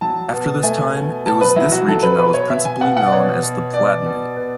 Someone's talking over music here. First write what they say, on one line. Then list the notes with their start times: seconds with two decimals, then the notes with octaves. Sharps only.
After this time, it was this region that was principally known as the Palatinate.
0.01 F#3 A5
0.33 B2
0.63 A3 G#5
0.95 B2
1.26 B2 A5
1.41 B4
1.56 F#3 E4
1.72 F#4
1.88 F#3 A4
2.03 B4
2.18 B2 B4
2.34 C#5
2.50 B2 E5
2.65 G#5
2.81 B2 F#5
2.97 F#5
3.06 D5
3.12 B2 C#5
3.43 B2
3.73 B2 D5
4.06 B2
4.37 B2